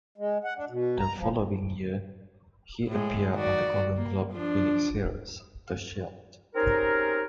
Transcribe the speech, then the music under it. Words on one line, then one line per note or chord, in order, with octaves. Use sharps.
The following year, he appeared on the Golden Globe winning series, "The Shield".
G#3
F#5
D4
B2
A#5
F3
A2 G#3
D#3 F#4 D5
A#3
F3 D4
C4 C#4 D#4 G4 G#4 A#4